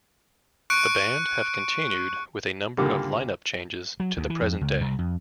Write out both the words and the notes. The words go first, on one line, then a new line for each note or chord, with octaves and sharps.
The band have continued, with a number of lineup changes, to the present day.
C#6 F#6 C#7 D7
C#2 G#2 D3 G3 A#3
F#3
D2
E3
F2
C#2
C2
F2